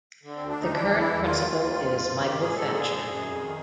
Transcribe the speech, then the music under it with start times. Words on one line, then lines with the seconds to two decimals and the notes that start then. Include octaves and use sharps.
The current principal is Michael Thatcher.
0.23 D3
0.36 D2 C4
0.48 D4
0.57 D2 D#4
0.73 E2 D4
0.90 E3
0.99 E4
1.07 E2
1.23 D#3 F4
1.40 D#2
1.56 D#2
1.73 D#3
1.90 G2
2.07 G2
2.19 F#4
2.23 D#3 G4
2.40 G#2 G#4
2.56 G#2 A4
2.73 D3 G#4
2.90 F#2
3.06 F#2
3.23 F2
3.40 D#3